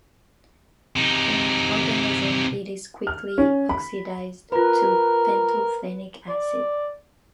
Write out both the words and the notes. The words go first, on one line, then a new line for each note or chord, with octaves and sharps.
In organisms it is quickly oxidized to pantothenic acid.
C3 D#4
F6
C#4
B5
F4 A#4 B4 B5
D5